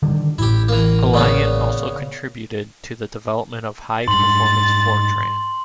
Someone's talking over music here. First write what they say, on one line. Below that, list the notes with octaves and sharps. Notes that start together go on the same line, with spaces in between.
Alliant also contributed to the development of High Performance Fortran.
D3 D#3 G3
A1 A2 E4 G4
E3 A#3
A#2 C#3 B3
G#2 G3 C6 A6 F#7